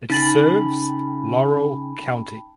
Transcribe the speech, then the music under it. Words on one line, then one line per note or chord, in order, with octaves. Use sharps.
It serves Laurel County.
C#3 D#4 G5 A5 B5 A6 F#7